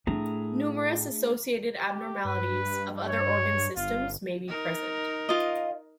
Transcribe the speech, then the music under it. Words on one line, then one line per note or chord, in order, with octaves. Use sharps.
Numerous associated abnormalities of other organ systems may be present.
A2 A3 D4 G#4 A#5
G4
G2 B4
C#5
G1 F4
D#4 A#4
F4 D#5